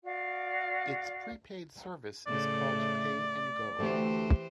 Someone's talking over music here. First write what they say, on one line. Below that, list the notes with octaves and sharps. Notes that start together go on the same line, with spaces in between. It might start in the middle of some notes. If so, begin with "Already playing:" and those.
Its prepaid service is called Pay and Go.
F#4 D5 F5
A2 C#3 A3 D5
D2 E3 A3 C4 G4 C5